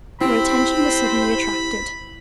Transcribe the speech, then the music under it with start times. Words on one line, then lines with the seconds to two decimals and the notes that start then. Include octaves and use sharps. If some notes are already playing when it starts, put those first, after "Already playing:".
Her attention was suddenly attracted.
0.21 C4 E4 G4 C5 B5